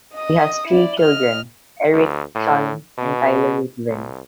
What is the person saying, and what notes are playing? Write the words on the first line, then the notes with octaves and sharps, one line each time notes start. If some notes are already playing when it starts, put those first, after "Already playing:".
He has three children, Erik, Sean and Tyler Ruthven.
D#5 D#6
E4 D5
D#5 F6
D2
A2
B2
C2